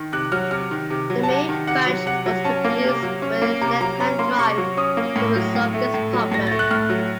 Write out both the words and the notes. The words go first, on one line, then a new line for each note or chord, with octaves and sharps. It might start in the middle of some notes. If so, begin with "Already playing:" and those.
The main batch was produced with left-hand drive to resolve this problem.
Already playing: D#3
C3 F#6
F#3 F6
C3 F6
D#3
C3
F#3
A5
C3 F#5
D#3
C3 F#5
F#3
C3 F#5
F#3
C#4 A5
A#3
C3
F#3
C#4
A#3
C3 A#5
F#3 A#5
C#4 A#5
A#3 C6
C3 C#6
F#3
C#4 D#6
A#3
A2
F#3
A2
A3
A2
F#3
A2 A#6
A3 A6
F#6
A2 F6
F#3